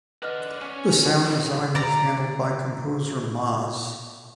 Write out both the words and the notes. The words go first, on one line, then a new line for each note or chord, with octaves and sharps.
The sound design was handled by composer "Maz".
B4 D5 D#5 F#5 F6
C#4 F6
G3 C4
D3 D5 A#5